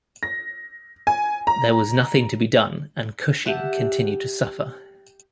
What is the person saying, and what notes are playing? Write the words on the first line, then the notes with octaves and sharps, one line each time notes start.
There was nothing to be done and Cushing continued to suffer.
A#6
G#5
A#5
G4 E5 F#5 A5